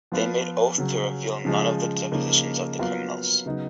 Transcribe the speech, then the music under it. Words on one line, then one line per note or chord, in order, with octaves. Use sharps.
They made oath to reveal none of the depositions of the criminals.
F3 B3 F4 B4
C#3 F#3 C#4
C#3 F3 G#3
C#3 F3 A#3 D#4
F#3 B3 F4 A#4 F5
C#3 F#3 B3 D#4